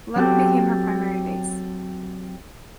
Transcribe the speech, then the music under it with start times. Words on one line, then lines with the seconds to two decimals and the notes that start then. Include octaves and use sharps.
London became her primary base.
0.16 F#3 C4 F#4 G4 A4